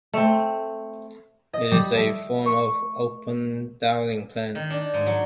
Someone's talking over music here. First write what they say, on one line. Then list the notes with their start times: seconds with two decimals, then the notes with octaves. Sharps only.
It is a form of open dialling plan.
0.13 A3 C4
1.53 D#5
1.71 G3
1.96 A3
2.46 C#6
4.55 D#3
4.70 D4
4.94 G#2
5.06 F#3